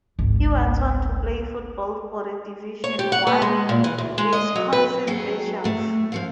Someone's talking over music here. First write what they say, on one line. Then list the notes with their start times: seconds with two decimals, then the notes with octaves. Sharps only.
He went on to play football for the division one Wisconsin Badgers.
0.19 G#1 C#2
2.84 C#5
2.99 G4
3.12 F#5
3.27 B3
3.42 G#3
3.69 A#2
3.84 E3
3.98 D2
4.18 G#3
4.33 D#5
4.55 F#3
4.73 B4
5.07 D#2 F#3 G#4 A4 G5
5.64 A2 A3
6.12 F#2 F3 F5